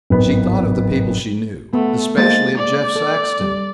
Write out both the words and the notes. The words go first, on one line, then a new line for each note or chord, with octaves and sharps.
She thought of the people she knew, especially of Jeff Saxton.
D1 G#1 B3 B4
A3 B3
G#3 A#3 C5 A6
D5
A4
G3